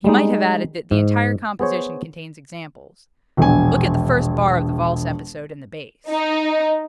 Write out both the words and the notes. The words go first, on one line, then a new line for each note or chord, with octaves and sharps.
He might have added that the entire composition contains examples--look at the first bar of the valse episode in the bass.
G3 G#3 D#4
G#2
B3 G#4 C5 C#5
E1 A#1 G#5
D#4